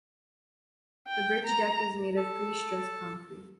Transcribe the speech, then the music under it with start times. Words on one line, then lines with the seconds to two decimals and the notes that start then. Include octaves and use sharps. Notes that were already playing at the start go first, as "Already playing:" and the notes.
The bridge deck is made of pre-stressed concrete.
1.08 G5
1.45 A#5
2.17 A4 A5